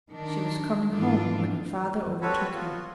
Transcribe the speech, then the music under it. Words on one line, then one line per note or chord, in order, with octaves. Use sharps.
She was coming home when her father overtook her.
D#3 D4
G#2 E3 D4 F4 A4
G3 C4 F#4 A4 B4 C#5
B3 F4